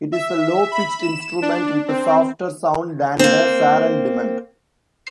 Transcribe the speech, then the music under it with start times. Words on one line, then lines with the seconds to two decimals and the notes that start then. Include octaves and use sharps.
It is a low-pitched instrument with a softer sound than the saron demung.
0.12 E5
0.72 B5
1.03 E7
1.42 D4
1.88 C4
3.19 A#3 C4